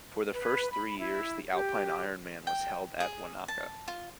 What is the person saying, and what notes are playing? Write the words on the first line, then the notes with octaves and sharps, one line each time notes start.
For the first three years, the Alpine Ironman was held at Wanaka.
B4
B5
E4
G4
G5
G#4
A5
F4